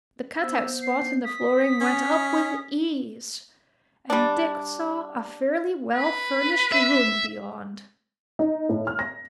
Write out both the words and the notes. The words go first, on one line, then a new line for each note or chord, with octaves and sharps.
The cut-out spot in the flooring went up with ease and Dick saw a fairly well furnished room beyond.
B3 C5 E6
C7
D#6 B6
C#4
G3 D4
B4
E5
D#4
A2
F6
A#6